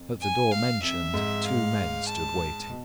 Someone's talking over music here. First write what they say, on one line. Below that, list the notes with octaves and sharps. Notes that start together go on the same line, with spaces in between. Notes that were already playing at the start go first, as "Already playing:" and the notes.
At the door mentioned two men stood waiting.
Already playing: F2
G#5
F5
F2 E5
G#2
F5
A5
B2